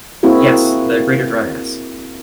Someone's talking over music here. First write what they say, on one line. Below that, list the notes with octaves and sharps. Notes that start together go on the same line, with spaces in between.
Yes, the Greater Dryas.
A#3 C4 E4 F#4 G#4